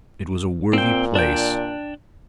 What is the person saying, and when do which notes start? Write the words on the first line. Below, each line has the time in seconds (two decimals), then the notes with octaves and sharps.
It was a worthy place.
0.73 A#2 C4 G5
1.15 D4 G5